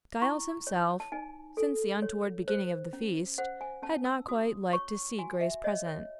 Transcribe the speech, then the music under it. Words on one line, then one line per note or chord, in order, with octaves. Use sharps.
Giles himself, since the untoward beginning of the feast, had not quite liked to see Grace present.
E4 C#6
C#5
A5
D#4 G#5
A4
C#5
C5
C#4
C5 F#5
G#5
C#4 A5
E6
F#4 D#6
C#5 C#6
F#4 G#5
E5
C#5 D#5
C#5